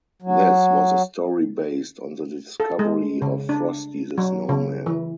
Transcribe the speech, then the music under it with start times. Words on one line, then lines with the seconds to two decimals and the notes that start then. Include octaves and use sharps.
This was a story based on the discovery of Frosty the Snowman.
0.22 F#3
2.60 A4
2.79 G#3
3.22 C#3
3.49 D4
4.18 F#3
4.49 C#3
4.86 E3